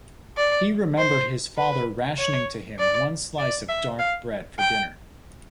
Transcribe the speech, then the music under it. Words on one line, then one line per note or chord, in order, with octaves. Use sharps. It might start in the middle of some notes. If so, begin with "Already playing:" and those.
He remembered his father rationing to him one slice of dark bread for dinner.
D5
C5
B4
C#5
D5
D5
E5
F5
G5